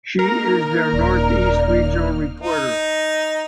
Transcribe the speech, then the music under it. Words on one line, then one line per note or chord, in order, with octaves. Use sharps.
She is their North East regional reporter.
A#3 D#4 A#4 F6
D#1 D5
D#4